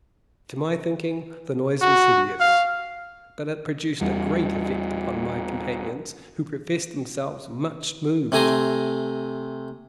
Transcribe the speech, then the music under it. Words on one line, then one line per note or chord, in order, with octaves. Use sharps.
To my thinking the noise was hideous, but it produced a great effect upon my companions, who professed themselves much moved.
F#4
F5
E2 G3
C3 A3 G#5 A#5 C6